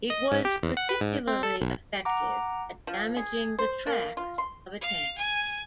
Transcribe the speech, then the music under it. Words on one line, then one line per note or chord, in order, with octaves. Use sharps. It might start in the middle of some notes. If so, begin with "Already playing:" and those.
It was particularly effective at damaging the tracks of a tank.
D#5
G#2
G4
E2
F#5
B4
G#2
C4
A4
B1
F#5 A#5 D6
F3
G#4
C5
A#3
F4
C6
F5
G#5